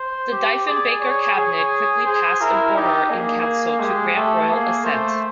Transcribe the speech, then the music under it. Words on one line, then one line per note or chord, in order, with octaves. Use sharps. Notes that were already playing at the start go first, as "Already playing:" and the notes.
The Diefenbaker Cabinet quickly passed an order in council to grant royal assent.
Already playing: C5
G4
G#4 D5
C#5
G#4 C#5
G#4 C5
E4 A#4
D#4 G4
A#3 G#4
G#3 G4
A3 G4
A#3 G#4
A3 C5